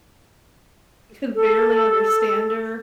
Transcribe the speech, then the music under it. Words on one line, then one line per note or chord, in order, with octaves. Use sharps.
you could barely understand her,
A4